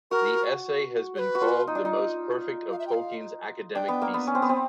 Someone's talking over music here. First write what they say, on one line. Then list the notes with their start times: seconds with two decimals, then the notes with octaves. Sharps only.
The essay has been called "the most perfect of Tolkien's academic pieces".
0.11 F#4 A#4
1.15 C#5
1.19 B4
1.35 F#4
1.41 F4
1.67 D#4
1.75 D4
1.85 D#4
2.72 F5
2.79 E5
2.87 G5
2.92 F5
3.75 D4 G5
3.88 B3
4.02 A#3
4.14 B3
4.27 C#4
4.35 C4
4.42 B3
4.49 C4